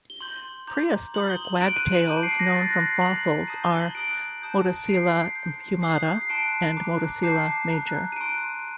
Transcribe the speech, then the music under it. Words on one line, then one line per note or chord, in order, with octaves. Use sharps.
Prehistoric wagtails known from fossils are "Motacilla humata" and "Motacilla major".
G7
C6 G6 F#7
A#5 D6 G6
C6 D#6 G6 F#7
G7
F#7
C6 F#6 D7
D#7
F#7
A5 D6 G6 D#7
D7
C7
A#6
C6 F#6 A6
A#6
C7
A#5 D6 F#6 F#7
A5 D#6 G6 D#7
G7
F#7
A#5 D#6 F#6 D7
A5 D#6 G6
D7
C6 G6 C7
C6 G6
A#5 D#6 F#6 C7
C7
A5 C6 F#6 D7
A#5 D6 F#6
A5 D6 G6 C7
A#5 F#6
D#7
C6 F#6 D7